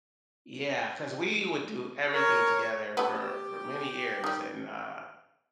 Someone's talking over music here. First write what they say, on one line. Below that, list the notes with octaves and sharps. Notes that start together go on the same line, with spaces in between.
Yeah, 'cause we would do everything together for for many years and, uh,
A#4 C#5
A3 B3 G4
D#3 G3